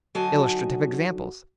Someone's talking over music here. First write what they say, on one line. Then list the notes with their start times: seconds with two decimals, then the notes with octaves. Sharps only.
Illustrative examples.
0.15 D3 F#3 D#4 F#4 G#5 A5